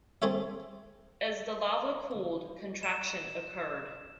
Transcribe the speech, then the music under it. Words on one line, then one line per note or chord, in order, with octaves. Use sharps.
As the lava cooled, contraction occurred.
C4 G#4 A4 C#5 E5
E7